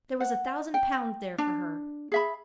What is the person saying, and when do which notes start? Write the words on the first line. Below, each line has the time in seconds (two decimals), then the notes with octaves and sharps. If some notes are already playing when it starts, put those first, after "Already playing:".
There was a thousand pounds there for her!
0.20 F#5
0.74 G5
1.38 D4
2.12 G#4 E5 B5